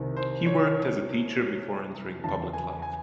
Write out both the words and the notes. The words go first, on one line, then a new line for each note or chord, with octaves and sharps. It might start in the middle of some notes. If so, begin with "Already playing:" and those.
He worked as a teacher before entering public life.
Already playing: C2 C3 D#3
C5
C#5
E2 C#3 E3 A5
G#5
G#5